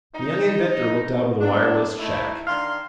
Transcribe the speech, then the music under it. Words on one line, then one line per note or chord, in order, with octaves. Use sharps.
The young inventor looked out of the wireless shack.
D#4
F#3 B3 D4
A3 D#4 E4
D#3 D4 F5 C6